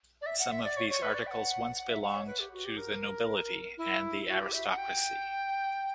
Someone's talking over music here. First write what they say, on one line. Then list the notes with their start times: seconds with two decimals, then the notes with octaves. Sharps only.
Some of these articles once belonged to the nobility and the aristocracy.
0.22 D5
0.26 E5
0.39 F#5
0.52 E5
0.64 D5
0.77 C#5
0.89 C#5
1.02 B4
1.14 D5
1.27 G5
1.31 F#5
1.77 F#5
1.89 E5
2.02 F#5
2.15 C#5
2.27 B4
2.40 G4
2.53 F#4
2.65 G4
2.77 A#4
3.78 E4
4.28 F#4
4.40 G4
4.53 E5
4.65 F#5
4.78 G5